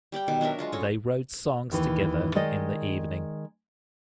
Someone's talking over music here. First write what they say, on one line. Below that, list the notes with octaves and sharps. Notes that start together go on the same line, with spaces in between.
They wrote songs together in the evening.
G3 G4 D5 G5
B2 D#3 D6
F#3 D4 A#4 E5
G#3 F4 F#4
C#4 A4 C#5 D#5
D#2 D#3 E3
D#3 G#3 D5 D#5